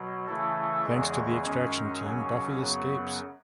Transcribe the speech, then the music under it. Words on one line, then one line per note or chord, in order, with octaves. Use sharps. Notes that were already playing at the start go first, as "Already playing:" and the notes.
Thanks to the extraction team, Buffy escapes.
Already playing: B2 F#3
C#3 E3 A3 E4 A4
E2 C#3 E3 G#3
F#2 D#3 G#3 C#4
D#2 C#3 F#3 C#4
F#2 C#3 F#3 B3